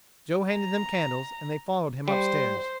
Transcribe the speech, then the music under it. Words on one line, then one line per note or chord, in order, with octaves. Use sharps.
Joe handed them candles and they followed him upstairs.
A#5
G3 C5